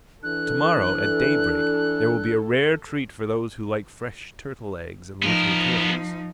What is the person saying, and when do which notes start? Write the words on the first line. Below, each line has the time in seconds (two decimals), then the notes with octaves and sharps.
"Tomorrow, at daybreak, there will be a rare treat for those who like fresh turtle eggs and little turtles!"
0.23 E3 D4 A4 F#6
5.22 F3 B3 D#4 A#4